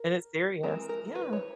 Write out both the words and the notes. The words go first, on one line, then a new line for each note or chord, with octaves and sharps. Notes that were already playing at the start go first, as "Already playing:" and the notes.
And it's serious Yeah.
Already playing: A#4
E3 G#3 C4 A#4
A#4
B4
C#5